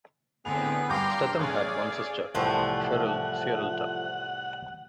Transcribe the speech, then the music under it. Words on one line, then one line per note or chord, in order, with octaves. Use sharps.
Stethem had one sister, Sheryl Sierralta.
A2 D3 B3 C4 G#4 B4 F7
G2 F5 G5 A#5 C6 D6 F6 G6
A1 G#4 C#5 D5 F5 F6 F#6
C2 A2 E3 F3 A3 F#5